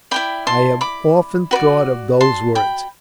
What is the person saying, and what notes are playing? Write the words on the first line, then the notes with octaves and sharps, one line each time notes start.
I have often thought of those words.
E4 G4 D5 G5 B5
A5 C6
B5 D6
F#4 B4 D5
A5 C6
G5 B5